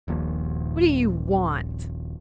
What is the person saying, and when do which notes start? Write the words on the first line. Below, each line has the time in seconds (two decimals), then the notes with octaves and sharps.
"What do you want?"
0.08 D#1 A#1 D#2